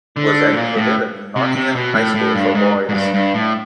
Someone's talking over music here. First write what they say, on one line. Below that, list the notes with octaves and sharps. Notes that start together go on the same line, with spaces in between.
He was educated at Nottingham High School for Boys.
D3
A2
A#2
A2
C3
C3
B2
A2
A2
G2
G#2
G#2
G2
G2
A2